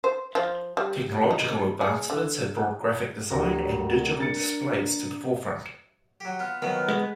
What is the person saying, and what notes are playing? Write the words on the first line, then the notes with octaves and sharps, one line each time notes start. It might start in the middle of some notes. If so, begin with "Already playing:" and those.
Technological advancements have brought graphic design and digital displays to the forefront.
C5
F3
G3
D#4
G#4
D3
D1 D2 G4 A#4 D5 A#5
D4 A6 C#7
F#3 G4
B3 F4
D#3 F3 F#3 B3
G#3 B4